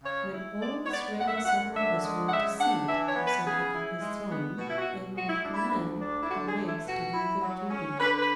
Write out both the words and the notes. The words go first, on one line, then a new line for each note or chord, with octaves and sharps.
When all was ready Solomon was wont to seat himself upon his throne, and would command the winds to do their duty.
C#3 C#5
E4
G#3 D5
C#5
B3 D5
F#2 F#5
E5
F#5
F#2 F#5
D3 E5
G#3
F#5
C#3 E5
D4 F#5
E3 E5
C#5
B3
B4
C#3 G#4
E4
G#3
B3
B2 F#4
E4
F#4
B2
G#3 F#4
E4
D4
E4
D2
D4
E4
D3 F#4
G#4
A3
E4
B2 F#4
E4
F#3
C#4
D3 B4
B4